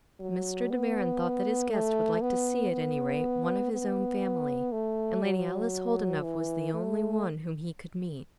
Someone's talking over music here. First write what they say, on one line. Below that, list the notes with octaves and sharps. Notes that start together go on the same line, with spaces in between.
Mr. De Baron thought that his guest would like to see, at any rate, one of his own family, and Lady Alice Holdenough was the only one whom he could meet.
F#3
B3
A3
B3
B3
B3
A3
F#3
E3
A3